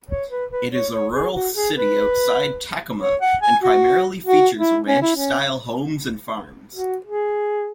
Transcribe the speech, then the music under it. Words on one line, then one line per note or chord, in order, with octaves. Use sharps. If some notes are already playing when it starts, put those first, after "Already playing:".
It is a rural city outside Tacoma and primarily features ranch-style homes and farms.
C#5
B4
B4
C#5
C#5
G#4
F#4
G#4
B4
C#5
F#5
G#5
F#4
F#4
E4
C#4
E4
C#4
F#4
G#4